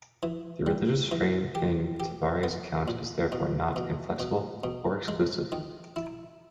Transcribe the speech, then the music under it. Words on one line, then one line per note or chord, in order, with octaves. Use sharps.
The religious frame in Tabari's account is therefore not inflexible or exclusive.
E3
G3
E3
G4
G4
B3
A#2
B2
B2
B2
B2
G#3
D#3
E4